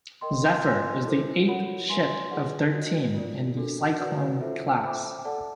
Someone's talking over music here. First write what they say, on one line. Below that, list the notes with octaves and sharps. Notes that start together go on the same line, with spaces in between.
"Zephyr" is the eighth ship of thirteen in the "Cyclone"-class.
A#4 D#5 G5 C6
F4 A#4 D#5 G#5 C6
E4 A4 C5
F#4 A#4 C#5 F#5 B5
B4 E5 G#5 C6
F4 G#4 B4 D5 F#5
F#4 A#4 D#5
F4 A#4 D5
D4 F#4 A4
F#4 B4 D5 F#5
F4 A4 C5 E5
C5 E5 G5 B5 D6
A4 D5 F#5 A5